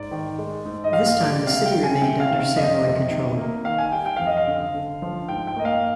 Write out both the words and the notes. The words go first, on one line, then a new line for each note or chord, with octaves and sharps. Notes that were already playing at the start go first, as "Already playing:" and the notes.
This time the city remained under Savoy control.
Already playing: G#2 D5
D#3
G#3
G#2
D#5
G3 F5
F5
G3 D5
D5
C3 F5
G5
C3
G#5
C3 G5
F5
D#3
F5
F2 D#5
C3
D#3
A#3
D#3 F5
G#5
G3 G5
G5
F2 F5
D#5
F5
D3
D3
F3
G#2 G5
G5
A#3 D#5
F5